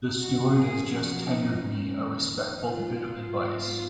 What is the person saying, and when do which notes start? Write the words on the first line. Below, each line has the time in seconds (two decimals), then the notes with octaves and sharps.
The steward has just tendered me a respectful bit of advice.
0.20 F#2 F3 B3 F#4
0.57 G#4
0.94 F#4
1.30 D#4
1.66 F2 D#3 A#3 C#4
2.40 D#4
2.75 F4
3.13 G#2 F#3 B3